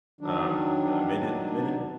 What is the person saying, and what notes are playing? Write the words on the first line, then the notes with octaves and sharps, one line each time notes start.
um, uh, made it made it
D#3 F#3 D4